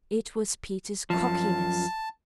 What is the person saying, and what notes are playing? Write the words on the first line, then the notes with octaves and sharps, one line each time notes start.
It was Peter's cockiness.
F#2 F3 A5